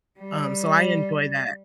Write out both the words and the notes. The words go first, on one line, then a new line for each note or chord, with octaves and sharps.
um, so I enjoy that.
G3